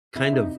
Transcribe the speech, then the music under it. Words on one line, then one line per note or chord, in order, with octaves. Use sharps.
kind of
C3 E4 E5
C3 D#4 D#5